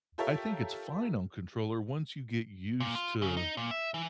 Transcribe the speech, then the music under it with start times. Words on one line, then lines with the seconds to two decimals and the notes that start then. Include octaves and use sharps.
I think it's fine on controller once you get used to
0.18 F4 G4 A4 A#4 C#5 E5
2.80 A#2
2.95 F4
3.22 C#3
3.37 D#4
3.57 A#2
3.71 E5
3.94 E3